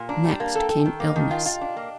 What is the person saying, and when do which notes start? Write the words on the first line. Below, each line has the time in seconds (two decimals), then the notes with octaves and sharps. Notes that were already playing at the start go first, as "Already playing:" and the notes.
Next came illness.
Already playing: A#2 C6
0.09 D4 A#5
0.24 G3
0.40 A#3 A5
0.55 A4 G5
0.69 A4
0.80 G5
0.85 D#3
1.00 A#3 D#5
1.16 D#3 A5
1.31 F4 G5
1.46 F4 F5
1.61 D4
1.76 A#3